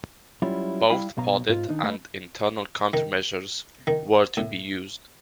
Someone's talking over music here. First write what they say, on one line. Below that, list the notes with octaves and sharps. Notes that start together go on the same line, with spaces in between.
Both podded and internal countermeasures were to be used.
F#3 G3 C#4 E4 F4
G3 E4 F5 G5 B5
B1 B2 F5 A#5
G#2 F4
D#3 D4 D#4
A3 B4 D#5
D#3
D#3
A2